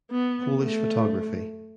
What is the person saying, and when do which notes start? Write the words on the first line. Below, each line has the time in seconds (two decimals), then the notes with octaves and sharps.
Polish photography.
0.11 B3
0.60 A3